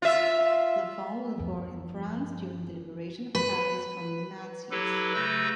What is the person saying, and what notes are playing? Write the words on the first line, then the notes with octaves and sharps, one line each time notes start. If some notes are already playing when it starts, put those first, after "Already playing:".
Lafond was born in France during the liberation of Paris from the Nazis.
F4 E5
G1 F2
B4
F#3 E4 G4 A4 B4
C#3 A3 B4 E6 G6 A#6